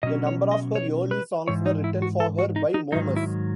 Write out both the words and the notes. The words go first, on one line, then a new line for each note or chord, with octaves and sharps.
A number of her early songs were written for her by Momus.
B2 F#3 C#4 D#5
C#5
D#5
C#5
B4
G#2 E3 C#5
D#4
E4
F#4
A4
F#4
D#4
D#4
G#2 D#3 F#3 D#4
E4